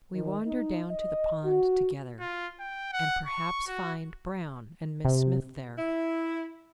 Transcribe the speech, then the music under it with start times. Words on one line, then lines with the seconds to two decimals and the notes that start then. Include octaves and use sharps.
We wander down to the pond together, and perhaps find Brown and Miss Smith there.
0.13 D#3
0.46 D#4
0.90 D#5
1.44 F#4
2.20 F4
2.60 G5
2.93 F#5
3.26 C#6
3.67 F#4
5.05 C3
5.78 E4